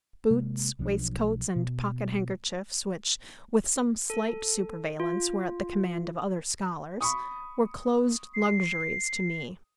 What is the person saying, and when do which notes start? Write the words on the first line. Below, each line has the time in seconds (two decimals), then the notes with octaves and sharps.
Boots, waistcoats, and pocket-handkerchiefs, which, with some slight superveillance, were at the command of other scholars, were closed luxuries to me.
0.31 C3 G#3 A#3
0.79 B1 F3 F#3 D4
1.56 B2
4.10 A4
5.00 F4
7.01 B5 C#6 D#6
8.34 C7